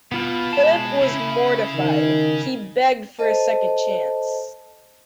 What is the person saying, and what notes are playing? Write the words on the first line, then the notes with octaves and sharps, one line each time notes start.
Philip was mortified. He begged for a second chance.
B2 B3 F4 F6
G#3 A5
C#3 E4
D#3
A4 C5 D#5 A5